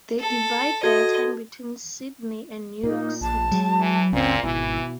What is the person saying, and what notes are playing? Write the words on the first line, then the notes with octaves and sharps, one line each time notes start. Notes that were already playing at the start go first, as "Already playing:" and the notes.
They divide their time between Sydney and New York City.
A4
F#4 A4 D#5 G#6
A#2 A#3 D#4
A#1 A5
F#3 G#3
E3
F#1 C#2 A#2 C4 C#4
G#1 B2 E3 E4